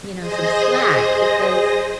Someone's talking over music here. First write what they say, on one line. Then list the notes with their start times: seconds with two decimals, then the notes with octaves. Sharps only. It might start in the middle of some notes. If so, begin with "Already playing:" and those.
you know, some slack, because,
0.18 G#4 C5 D#5 D#6 A#6